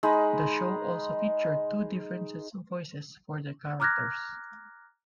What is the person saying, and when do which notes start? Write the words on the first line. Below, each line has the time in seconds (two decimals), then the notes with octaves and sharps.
The show also featured two different sets of voices for the characters.
0.03 G#3 D#4 B5
3.80 A#5 D6 F6 F#6 G#6 A#6